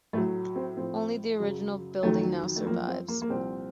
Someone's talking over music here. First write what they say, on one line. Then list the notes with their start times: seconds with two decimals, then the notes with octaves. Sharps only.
Only the original building now survives.
0.13 A2 F#3 A3
0.56 C4
0.77 A2 F3 C4
1.40 F#2 C#3 F#3
2.03 F2 D#3 F#3 A3
2.56 A3
2.66 F3 A#3
2.70 F#2
2.87 C4
3.08 A#3
3.22 A#3
3.30 C2 A#2 F3 C4